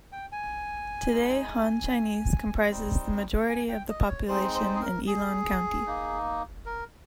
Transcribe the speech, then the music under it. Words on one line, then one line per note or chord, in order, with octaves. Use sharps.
Today Han Chinese comprises the majority of the population in Yilan County.
G5
G#5
G#3 D#4
G3 C4 D#4
G#5
G5
D#5
C#5
G#3 C4 D#4 C5
C5
G#4
A#4
G#4
A#3 D#4
A#4